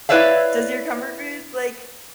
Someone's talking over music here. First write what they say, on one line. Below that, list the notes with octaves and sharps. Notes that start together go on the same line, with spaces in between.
Does your comfort food, like,
E4 B4 C#5 D5 E5 F5